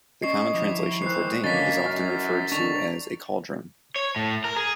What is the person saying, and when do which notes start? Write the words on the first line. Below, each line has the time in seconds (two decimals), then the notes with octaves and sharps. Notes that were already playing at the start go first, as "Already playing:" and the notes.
The common translation for ding is often referred to as a cauldron.
0.22 C#4 D5 D#5 C#6 C7
0.54 F3 G3 E4 D6
1.02 D#3 E3 G#3 C5 F#6 C7
1.44 D3 G#3 A#3 B3 C#4 D#5 A6 B6
1.83 F#2 E3 C#4 F6
2.52 D3 D#3 D4 D5 C#6 A6 F7
3.96 C#5
4.16 A2
4.44 A#4
4.57 G#4